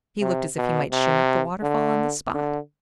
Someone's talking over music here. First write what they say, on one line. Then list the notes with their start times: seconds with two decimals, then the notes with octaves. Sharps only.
He looked as if he might shin up the waterfall on the spot.
0.21 C3
0.57 B2
0.92 C3
1.63 D3
2.34 D3